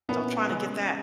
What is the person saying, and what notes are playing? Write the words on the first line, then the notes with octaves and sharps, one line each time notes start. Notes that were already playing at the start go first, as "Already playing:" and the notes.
So, trying to get that
A#2 A#3 B3 C#4 E4
C#3 G#3 C#4